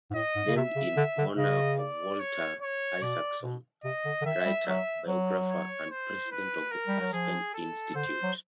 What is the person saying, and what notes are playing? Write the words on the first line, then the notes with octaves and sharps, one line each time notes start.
Named in honor of Walter Isaacson, writer, biographer and president of the Aspen Institute.
G#2
A2 D#5
G#2
C#3
C3 E5
C#3
D3
D3
C#3 D#5
D5
C#5
C#5
B2 D5
B2
C3 D#5
D3
D3
D#3 E5
G3
F#3 E5
F#3
C#5
C5
B4
A#4
G3
F#3
F3 G#4
A4
D3 C5
F#3